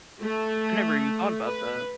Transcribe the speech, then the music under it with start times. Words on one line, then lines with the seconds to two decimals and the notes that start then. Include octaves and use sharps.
I never even thought about that.
0.21 A3
1.45 B4